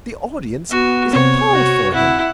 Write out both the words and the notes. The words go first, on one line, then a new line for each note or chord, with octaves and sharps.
The audience is appalled for him.
B3 F#4
C3 C4 C#5
F#4
E4 F#5